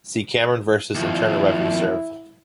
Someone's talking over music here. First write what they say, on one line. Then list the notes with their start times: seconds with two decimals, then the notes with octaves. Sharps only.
See Cameron versus Internal Revenue Serv.
0.94 D#2 F3 E4